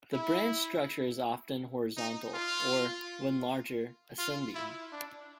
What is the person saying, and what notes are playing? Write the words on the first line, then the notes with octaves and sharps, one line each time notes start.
The branch structure is often horizontal or, when larger, ascending.
E4
D#4
F4
F4
E4
D4